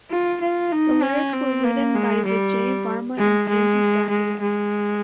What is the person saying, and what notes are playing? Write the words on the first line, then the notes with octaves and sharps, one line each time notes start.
The lyrics were written by Vijay Varma and Andy Dahiya.
F4
F4
D#4
C#4
C4
A#3
G#3
G3
G#3
G#3
G#3
G#3